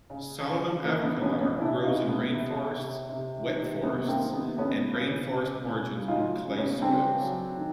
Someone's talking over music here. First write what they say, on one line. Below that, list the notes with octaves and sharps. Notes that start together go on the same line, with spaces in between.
"Solanum aviculare" grows in rainforests, wet forests and rainforest margins on clay soils.
C#3
C#3
E3 A#3
B3
C#3 B3 C#4
B3 C#4
C3 D4 E4
D#4 F4
C3
B3
C3
C3
C3
D#3
C3 B3
A#3 C4
D#3
B3
C#3 B3 C#4
C#3
C#3
C#3
F#3 D#4 F4
C#3
B3 C#4
C#3 C4 D4
F#3
D#3